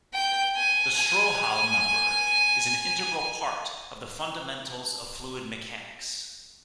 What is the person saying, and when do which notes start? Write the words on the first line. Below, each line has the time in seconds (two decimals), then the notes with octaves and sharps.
The Strouhal number is an integral part of the fundamentals of fluid mechanics.
0.14 G5
0.56 G#5
0.96 G#5